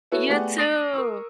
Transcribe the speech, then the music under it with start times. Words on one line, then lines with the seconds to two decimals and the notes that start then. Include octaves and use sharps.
You too.
0.12 B3 E4 F#4 A4 C#5
0.29 A3 B3 G4 G#4 D5 F#5
0.58 D#6 A#6 C7 D7 D#7 F7
0.93 A#4 C#6 E6